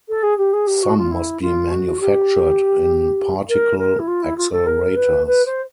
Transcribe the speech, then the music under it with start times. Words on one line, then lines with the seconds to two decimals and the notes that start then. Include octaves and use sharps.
Some must be manufactured in particle accelerators.
0.08 A4
0.22 G#4
0.37 G4
0.53 G#4
0.66 G4
0.82 F#4
0.97 F4
1.11 E4
1.41 F4
1.70 F#4
2.00 G4
3.49 A#4
3.78 A#4
3.99 E4
4.07 F4
4.22 E4
4.37 F4
4.51 A4
4.66 A#4
4.96 B4
5.26 B4
5.45 C5